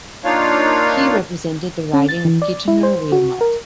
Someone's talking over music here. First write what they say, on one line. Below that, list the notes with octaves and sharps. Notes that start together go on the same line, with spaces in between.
He represented the riding of Kitchener-Wilmot.
A#3 D4 D#4 F4 C#5 F5
C#4
A6
E3
D5
E4
C5
F#4
A#4